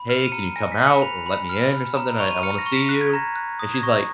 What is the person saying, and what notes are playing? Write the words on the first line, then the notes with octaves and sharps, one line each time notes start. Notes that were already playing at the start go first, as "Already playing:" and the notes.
"Hey, can you come out or let me in or something? I I wanna see you." And she's like,
Already playing: B5
F6
D#7
A#5 C#7
G#5 A#6
B6
F#6
C#7
B5 F7
B5
F6
B5
A#5
C#6 F7
D#7
F6 C#7
A#6
C#6
B6
F#6 A#6
G#6
A#5 A#6
F#6
D#6
G#6
C#6 A#6
A#6